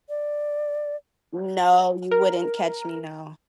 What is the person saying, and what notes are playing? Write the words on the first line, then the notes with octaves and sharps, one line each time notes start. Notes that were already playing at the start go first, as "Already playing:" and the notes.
No, you wouldn't catch me, no.
D5
A#4